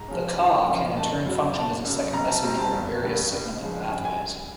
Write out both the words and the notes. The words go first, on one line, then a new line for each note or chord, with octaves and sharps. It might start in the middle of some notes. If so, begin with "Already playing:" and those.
The Ca can in turn function as a second messenger in various signaling pathways.
Already playing: G#2 A#5
F3 G#3 C#4
F#2
C#3 F3 A#3 C#4
F#1 A5
F#2 C#3 F#3
F#1 A5
F#2 C#3
B1 A#5
A5
B2 G3 C4 A#5
A5
F1
D#2 D3 G3
C#2
C#3 F3 G#3
G2 G#5
G#5